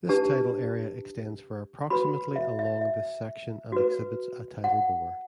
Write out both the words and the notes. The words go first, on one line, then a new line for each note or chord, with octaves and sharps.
This tidal area extends for approximately along this section and exhibits a tidal bore.
D4 G4 B4 A5
F#4 B4 B5
E5
E5
E5
F#4 B4
F#5